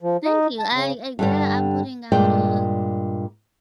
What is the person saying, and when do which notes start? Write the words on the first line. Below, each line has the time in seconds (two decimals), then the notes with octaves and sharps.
Thank you, I I yeah, I'm putting out a
0.01 F3
0.25 D#4
0.59 A5
0.74 C#3
1.19 G2 D3 G3
2.12 G2 A#2 G#3 D5 G5